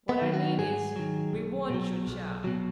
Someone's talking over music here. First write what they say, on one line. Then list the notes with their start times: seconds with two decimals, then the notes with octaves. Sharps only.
What I mean is, we want your chart.
0.09 B3
0.22 D#3 F#3
0.34 F#4
0.58 G#2 G#4
0.96 D#3 F#3
1.33 B1
1.70 B2 F#3
2.08 B1
2.44 B2 F#3